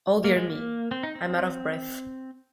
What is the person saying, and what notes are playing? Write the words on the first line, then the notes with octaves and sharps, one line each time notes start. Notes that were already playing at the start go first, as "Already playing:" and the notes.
Oh, dear me, I'm out of breath.
A#3
G#3
A#3
C4
D#4
C4